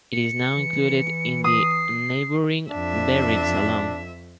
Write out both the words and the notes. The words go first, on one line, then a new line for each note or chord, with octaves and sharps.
It is now included in the neighbouring Berrick Salome.
C#7
E3
D#6 C7
F2 D4 E5